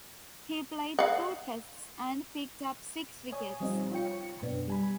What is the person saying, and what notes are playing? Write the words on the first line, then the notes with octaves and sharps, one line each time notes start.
He played two tests and picked up six wickets.
F5 F#5
C#5 G#5 D#6
F3 G3 C4 D#4 F4
F4 C#5 G5 C#7
F#2 B2 B3 D4
G3 G#5 B5